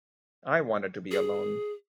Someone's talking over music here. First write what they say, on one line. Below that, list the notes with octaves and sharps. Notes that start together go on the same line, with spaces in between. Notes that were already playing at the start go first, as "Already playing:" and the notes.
I wanted to be alone.
G#4